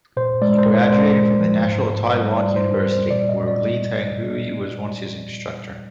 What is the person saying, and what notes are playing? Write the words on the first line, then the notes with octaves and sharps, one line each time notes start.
He graduated from National Taiwan University, where Lee Teng-hui was once his instructor.
A#2 C5
G#3 D5
C5
A#2 A#4
D5
G#3 C5
A#2
F3
G#2
G#2
G3
G3 D5
C5
G#2
A#4
G3
C5
A#2 D5
D#5
A#2
D5